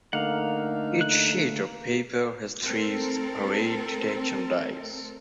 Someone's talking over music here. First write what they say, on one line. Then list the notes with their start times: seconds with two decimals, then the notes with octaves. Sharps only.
Each sheet of paper has three separate detection dyes.
0.13 D3 A3 A#3 D#4 A#4 F5 F#5
1.01 F#6
2.65 A3 C4 A4 A#4